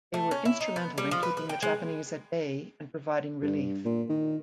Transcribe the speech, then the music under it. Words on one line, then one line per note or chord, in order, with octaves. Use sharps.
They were instrumental in keeping the Japanese at bay and providing relief.
A3
C#4
E4
D#4
B3
G3
F3
B4
B4
G5
G#3
G2
A#2
D#3